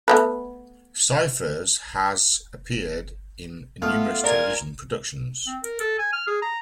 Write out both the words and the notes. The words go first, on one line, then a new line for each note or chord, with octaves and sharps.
Cyphers has appeared in numerous television productions.
A3 B3 B4
A3 B3 F4 A4 F6
A#4 D5 G#5
C4
A#4
A4
G#5
F6
G#4
A#5